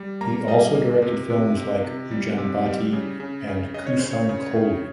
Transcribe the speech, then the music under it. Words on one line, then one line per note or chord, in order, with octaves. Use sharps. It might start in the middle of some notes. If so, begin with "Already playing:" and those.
He also directed films like "Ujan Bhati" and "Kusum Koli".
Already playing: G3
A#3 A#5
G3 D#5
A#3
C3
C3
C3
C3
G3
C3
G3
C#3
C#3
C#3
C#3 D#5
C#5
C#3 C5
C#5
C#3
C#3